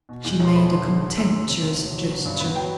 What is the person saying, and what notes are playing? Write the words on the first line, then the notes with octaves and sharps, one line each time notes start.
She made a contemptuous gesture.
B2
E2
E1
C6
A3 B5
D3 C6
E2 C6
D3 C6
F#2 E6
F#1 C6
C3
D2
E1
F#3
D3
G2
B3 B5
F#3 G5